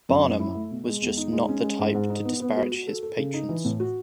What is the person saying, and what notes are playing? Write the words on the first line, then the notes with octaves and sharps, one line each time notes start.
Barnum was just not the type to disparage his patrons.
F#2
F#2
E4
A3
B2
G#3
E2
D#4
G#3
C#4
G#3
G#2
G#2
D#4
B3
B3
F#4
F#4
A4
A4
C#3
D#4
E3
A2
F#4